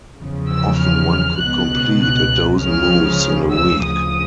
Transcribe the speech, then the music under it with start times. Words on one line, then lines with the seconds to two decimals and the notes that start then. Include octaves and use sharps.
Often one could complete a dozen moves in a week.
0.19 E2 C#3 F3
0.50 E6
0.79 F6
1.40 C#2 B2 F#6
2.01 F#6
2.61 C#2 C#3 F3 F6
3.53 E6
3.83 D2 C#3 F3 D#6